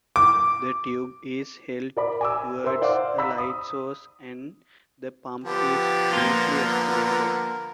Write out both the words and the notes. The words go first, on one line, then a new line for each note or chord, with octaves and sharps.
The tube is held towards a light source and the pump is briefly activated.
D6
A#4 D5 B5
G#5 D6 E6
A#4 C5 E5 C6 E6
C5 D5 F5 F#5 C6 D6
B5 E6 B6
D#6
D3 F3 B3 G4
A#3 F4 A#4